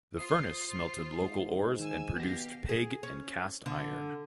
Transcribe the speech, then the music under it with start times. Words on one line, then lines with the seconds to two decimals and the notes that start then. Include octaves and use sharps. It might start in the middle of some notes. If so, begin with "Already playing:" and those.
The furnace smelted local ores and produced pig and cast iron.
0.18 F4 C5 D#6 C7
1.25 G#2
1.79 D#3 G#5 E6
2.16 B2 B3 G4 F5 A#6
2.69 G#4
3.03 C#4
3.66 D3